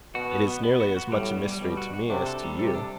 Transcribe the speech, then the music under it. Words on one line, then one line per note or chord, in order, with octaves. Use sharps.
"It is nearly as much a mystery to me as to you."
B2 F#4
B3
B3
B3
F#4
F#4
A2 G3
B3
G3
B2 G3
F#4
F#4
C3 D4
A4
G3
C3 A4
D4